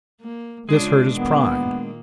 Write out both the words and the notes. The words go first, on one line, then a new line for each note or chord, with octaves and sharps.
This hurt his pride.
A#3
C#3 G#3 D4 F4
A#2 D#3 A#3 B3